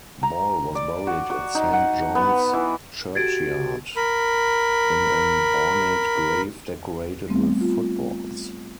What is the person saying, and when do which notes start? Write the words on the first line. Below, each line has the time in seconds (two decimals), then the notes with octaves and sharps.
Ball was buried in Saint John's churchyard in an ornate grave decorated with footballs.
0.23 A#5
0.75 D5
1.07 F#4
1.30 F#4
1.55 D#4
1.73 F#5
2.15 B3
2.53 E3
3.15 F#4 G4 A4 G#6 A6 D7
3.96 A#4 B5
7.28 G3 A3 B3 C4
7.61 F4